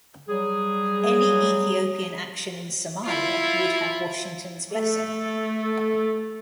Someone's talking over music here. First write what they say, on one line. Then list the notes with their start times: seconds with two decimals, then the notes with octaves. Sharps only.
Any Ethiopian action in Somalia would have Washington's blessing.
0.29 F#3 G3 G#4
3.04 E4 F4
4.74 A3 A4